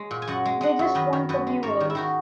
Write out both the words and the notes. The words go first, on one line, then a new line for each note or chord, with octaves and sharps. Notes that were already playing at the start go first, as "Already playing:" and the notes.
They just want the viewers.
Already playing: G#3
A#2
G#5
F#2 D#5 F#5
G#3
G#3 D#5 F#5
F#2
D#3 B4 D#5
D#3
F#2 B4 D#5
G#3
G#2 A#4 C#5
D#3
E4
D#3 D#4 F#4